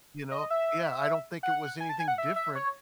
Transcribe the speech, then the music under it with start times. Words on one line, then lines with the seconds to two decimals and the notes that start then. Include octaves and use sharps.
you know? Yeah, I don't think it was anything different.
0.31 D#5
0.50 E5
1.43 F#5
1.80 G#5
1.89 A5
2.00 G#5
2.08 F#5
2.18 E5
2.36 E5
2.55 C#5